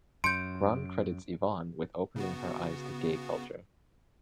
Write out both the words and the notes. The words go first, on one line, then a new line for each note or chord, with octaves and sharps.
Grahn credits Yvonne with opening her eyes to gay culture.
F#2 C6 G6 C#7 D7
C#3 B3 F#4